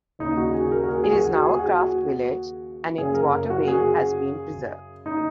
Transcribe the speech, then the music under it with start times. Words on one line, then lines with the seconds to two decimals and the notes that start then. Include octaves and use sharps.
It is now a craft village and its waterwheel has been preserved.
0.19 D#2 C#3 D#4
0.37 F#4
0.54 G#4
0.72 A#4
0.83 F#4
0.89 G#4
1.04 G#4
1.13 F#4
1.35 G#4
1.49 G#4
1.59 F#4
2.97 F#2 C#3 G#4
3.15 A#4
3.50 F#4
3.68 G#4
5.06 D#4